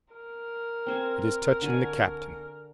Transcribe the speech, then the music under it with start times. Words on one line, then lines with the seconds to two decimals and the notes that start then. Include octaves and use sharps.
It is touching the Captain.
0.13 A#4
0.86 C4 C5 G#5
1.62 D3 F#4 G#5